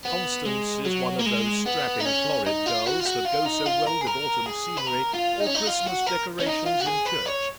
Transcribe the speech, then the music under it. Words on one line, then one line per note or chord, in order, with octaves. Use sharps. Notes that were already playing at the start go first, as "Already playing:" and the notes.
Constance is one of those strapping florid girls that go so well with autumn scenery or Christmas decorations in church.
B3
G#3
F#3
A#3
G#3
B3
D#4
C#4
D#4
F4
F#4
F4
F#4
F4
D#4
F4
A#4
G#4
A#4
G#4
B4
A#4
F4
D#4
C#4
D#4
F4
F#4
A#4
C#4
D#4
F4
F#4
G#4
B4
C#5